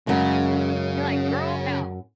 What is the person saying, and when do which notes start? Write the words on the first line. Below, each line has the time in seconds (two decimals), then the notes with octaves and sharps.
You're, like, "Girl, no."
0.07 F#2 C#3 G#3